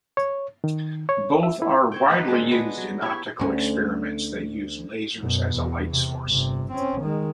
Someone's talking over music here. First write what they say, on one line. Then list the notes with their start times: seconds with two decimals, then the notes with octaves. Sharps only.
Both are widely used in optical experiments that use lasers as a light source.
0.17 C#5
0.64 D#3
1.09 C#5
1.43 E5
1.62 E4
1.92 C4 C#5 G5
2.10 B3 D#4 B4 F5
2.28 D#3 G#3 C4 D4
2.51 G#3 B3 D4
2.78 F#3
3.02 E4 G4 C#5
3.40 D2 C#4
5.19 F#2 B2
5.54 E2
5.91 C3
6.27 G1 C3
6.72 C4 C#4
7.01 D#3 G#3